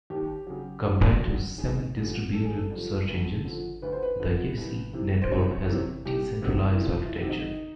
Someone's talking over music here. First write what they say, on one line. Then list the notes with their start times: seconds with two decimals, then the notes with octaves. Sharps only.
Compared to semi-distributed search engines, the YaCy-network has a decentralised architecture.
0.10 D#2 G4
0.47 C#3 F#3
0.84 D#2
1.21 C#3 F#3
1.58 G#1 G#4
1.97 G2 D3 F3
2.33 G#1 A4
2.45 G#4
2.55 A4
2.71 G2 D3 F3
3.08 D2
3.45 D3 F3
3.82 D2 B4
3.93 C5
4.03 B4
4.20 D3 F3
4.57 C2
4.93 C3 E3
5.22 C5
5.31 C2 C#5
5.68 C3 E3
6.05 C2 G4
6.42 C3 D#3 F#3
6.72 E4
6.79 C2 F4
7.05 E4
7.18 C3 D#3 F#3
7.29 D#4